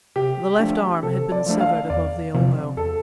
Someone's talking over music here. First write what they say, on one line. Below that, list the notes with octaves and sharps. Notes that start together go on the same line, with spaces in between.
The left arm had been severed above the elbow.
C3 G4
F3 A3 D4
C3 A4
D5
F3 A3 D4
F5
E2 D5
C3 F3
E2 A4